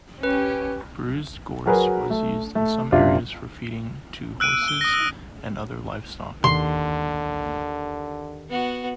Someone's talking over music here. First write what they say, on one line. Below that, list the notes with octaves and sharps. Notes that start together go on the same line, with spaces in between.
Bruised gorse was used in some areas for feeding to horses and other livestock.
C#4 G4 B4
F#3 F#4 G#4 A#4 B4
A3
A3
F#1 C3 D4 F4
E6 F#6 D7 D#7
E6
G7
D#6 A#6
E6
D#2 D3 C6
B3 F#4